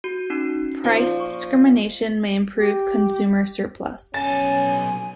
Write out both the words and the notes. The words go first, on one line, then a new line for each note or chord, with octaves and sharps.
Price discrimination may improve consumer surplus.
F#4
C#4 D#4 F#4
A#2 F3
C#6
G4
B1 C#4 G#5 A5 A6